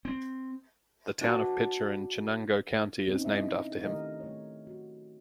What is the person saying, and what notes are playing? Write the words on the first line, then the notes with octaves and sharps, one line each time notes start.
The town of Pitcher in Chenango County is named after him.
C4
D4 F#4 B4 A5
C4 C#4 D#4
D#4 E4 D#5 E5
D#3 A3 G4 A#4 D#5
A3 C#5
F#4